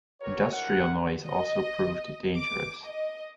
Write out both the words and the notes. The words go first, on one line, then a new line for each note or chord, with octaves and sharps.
Industrial noise also proved dangerous.
F#4 G4 A#4 B4 C#5
D2 G#2 C#3 E4 A#4 F#5
D#5
D6
D#5